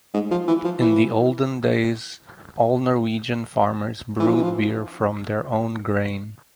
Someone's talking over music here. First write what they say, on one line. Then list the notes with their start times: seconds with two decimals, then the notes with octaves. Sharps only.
In the olden days all Norwegian farmers brewed beer from their own grain.
0.14 G#2
0.31 F3
0.48 E3
0.65 F3
0.82 E3
4.20 E3
4.27 F3
4.34 E3
4.43 F3